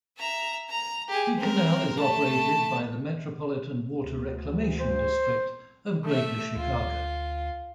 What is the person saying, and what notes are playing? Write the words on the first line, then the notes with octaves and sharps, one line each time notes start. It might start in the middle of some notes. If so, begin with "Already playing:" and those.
The canal is operated by the Metropolitan Water Reclamation District of Greater Chicago.
E5 A#5
A#5
G4 G#4
C4 A#4
A3 A5
D2
C5
A3 E5
D2 F4